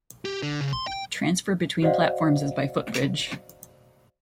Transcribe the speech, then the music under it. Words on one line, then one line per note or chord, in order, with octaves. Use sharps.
Transfer between platforms is by footbridge.
G4
D3
C#3
C6
G5
F#4 C5 D5 D#5 F5 F#5